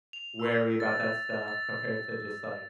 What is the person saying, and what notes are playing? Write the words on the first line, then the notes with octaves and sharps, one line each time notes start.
wary about that stuff compared to just, like
F7
E6
A6
A6